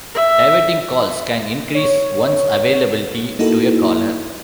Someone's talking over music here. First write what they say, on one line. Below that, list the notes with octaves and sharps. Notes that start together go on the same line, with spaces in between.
Diverting calls can increase one's availability to a caller.
E5
C#5
A#3 D#4 E4 F#4 A4